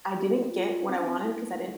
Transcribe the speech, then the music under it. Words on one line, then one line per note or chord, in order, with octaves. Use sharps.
I didn't get what I wanted 'cause I didn't
G4
F4
E4
F4
C4
D4
C4
E4